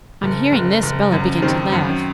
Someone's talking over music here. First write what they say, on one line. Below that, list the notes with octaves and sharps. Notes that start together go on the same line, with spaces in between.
On hearing this Bellah began to laugh.
F#1
F#1
F#1
F#2
D#3 C4
F#2